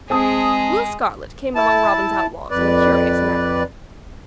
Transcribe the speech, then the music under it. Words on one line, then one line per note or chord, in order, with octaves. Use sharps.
Will Scarlet came among Robin's outlaws in a curious manner.
G#3 C4 G#4 A5 D#6
E4 A5
F2 B4 D5